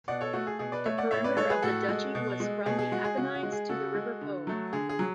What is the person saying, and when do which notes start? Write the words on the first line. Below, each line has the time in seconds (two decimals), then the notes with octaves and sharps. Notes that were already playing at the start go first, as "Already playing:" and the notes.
The perimeter of the duchy was from the Apennines to the river Po.
0.08 B2 D5 F#5
0.21 A4 C#5
0.33 A3 F#4 A4
0.47 G#4
0.59 B2 G#4
0.72 B4 D5
0.85 A3 C#5 E5
0.98 D5 F#5
1.11 A2 C#5 E5
1.24 B4 D5
1.37 G#3 A4 C#5
1.50 G#4 B4
1.62 A2 F#4 A4
1.89 G#3
2.15 B2
2.40 G#3
2.66 B2 G#4
2.79 G#4
2.92 G#3 F#4
3.04 G#4
3.17 C#3 F#4
3.35 F#4
3.43 G#3
3.52 G#4
3.69 C#3 F#4 A4
3.95 G#3
4.21 D3
4.47 F#3 A3
4.73 D3 G#4
4.89 G#4
4.99 F#3